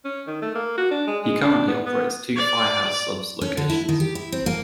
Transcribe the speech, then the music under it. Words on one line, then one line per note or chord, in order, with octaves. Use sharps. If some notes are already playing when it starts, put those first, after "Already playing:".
He currently operates two Firehouse Subs locations.
C#4
D#3
A3
A#3
F#4
D4
G#3
G#3
D4
B3
B3
D5
C#4
D3
E4
D#3
G4
E4
C4
A#3